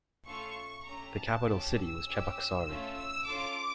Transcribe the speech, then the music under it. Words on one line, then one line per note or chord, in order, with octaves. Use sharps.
The capital city was Cheboksary.
A3 C#4 F4 A4 C#6
A3 C#4 G4 A#5
A5
C#4 G4
E6
C#4 G4
A3 C#4 F4
E6
C#4 F4 A4 D6